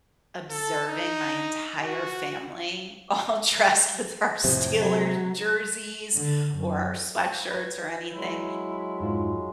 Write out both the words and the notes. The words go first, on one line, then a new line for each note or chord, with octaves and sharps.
observing my entire family all dressed with our Steelers jerseys or our sweatshirts or anything
A4
D#4
F#4
F2 A2 C3
F#3
D3
F#2
B4 G6 G#6
F#3 G#3 E4
F2 G#2 F4